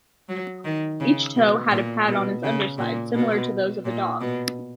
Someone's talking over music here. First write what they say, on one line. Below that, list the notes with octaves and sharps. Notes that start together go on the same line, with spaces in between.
Each toe had a pad on its underside, similar to those of a dog.
F#3
D#3
C#3
B2
A#2
B2
C#3
A#2
B2
A#2
B2